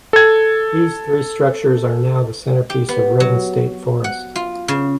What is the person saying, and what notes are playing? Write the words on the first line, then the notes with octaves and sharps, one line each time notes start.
These three structures are now the centerpiece of Redden State Forest.
A4 G#6
G4
B3
F#3
F#5
F4
C#3